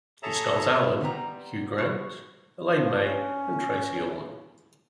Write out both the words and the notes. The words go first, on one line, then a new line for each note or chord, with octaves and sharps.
It stars Allen, Hugh Grant, Elaine May and Tracey Ullman.
G#4 A4 C#5 E5 A5 A#5
G3 B3 C4 A#5
F#4
F3
C#4